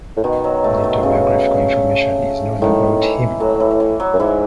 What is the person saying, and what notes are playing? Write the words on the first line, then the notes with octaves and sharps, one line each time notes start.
Little biographical information is known about him.
A2
B2 D#3
F#3
A3
D#3
C#3
A2 D#3
E3
A2 F#3
E3
E3
F#3
F#2
G#2 E3